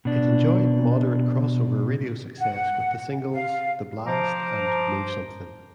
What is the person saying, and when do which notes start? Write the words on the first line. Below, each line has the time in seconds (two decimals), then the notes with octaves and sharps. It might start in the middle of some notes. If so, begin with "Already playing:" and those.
It enjoyed moderate crossover radio success with the singles "The Blast" and "Move Somethin'".
0.05 B2 D4
2.39 F#5
3.33 F5
4.06 F3 C5 A#5 D6